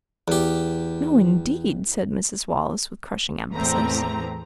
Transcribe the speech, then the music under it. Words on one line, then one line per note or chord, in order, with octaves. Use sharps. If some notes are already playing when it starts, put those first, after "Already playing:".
"No, indeed," said Mrs. Wallace, with crushing emphasis.
E2 G4
E2 A2 E3 C4 A#5